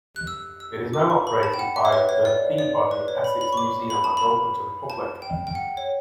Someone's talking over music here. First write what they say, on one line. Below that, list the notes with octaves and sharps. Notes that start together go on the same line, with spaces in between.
It is now operated by the Peabody Essex Museum and open to the public.
F#6
E6
E6
D6
C#6
B5
A5
G5
F#5
E5
C#5
B4
C#5
D5
D5
B4
C#5
B5
B5
C#6
D6
B5
A5
B5
A5
G5
G5
F#5
C#5